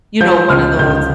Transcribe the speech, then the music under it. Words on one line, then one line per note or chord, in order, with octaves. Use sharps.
you know, one of those,
F3 G6
C#2 F6
C#2 G6